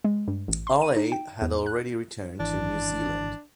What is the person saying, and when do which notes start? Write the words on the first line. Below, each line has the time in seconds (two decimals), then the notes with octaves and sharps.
All eight had already returned to New Zealand.
0.05 G#3
0.28 G2
0.48 A1
0.67 C6
0.82 D#7
0.97 D#4
1.12 G5
1.41 E2
1.66 F#6
2.40 G#1 E3 D4